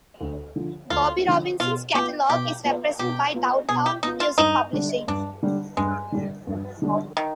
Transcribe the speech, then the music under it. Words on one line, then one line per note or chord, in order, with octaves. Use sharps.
Bobby Robinson's catalog is represented by Downtown Music Publishing.
D2
D3 F3
D2 F4
D3 F3
B2 F4
B3 F4 G4
B2 G4
B3 F4
B2 G4
B3 F4
B2 G#4
G4
B3 D#4 F4
F4
G2 D#4
D3 G3 D4
G2 D4
D3 G3 D4
G2 G#3
D3 G3 D4
G2
D3 G3 D4
D#3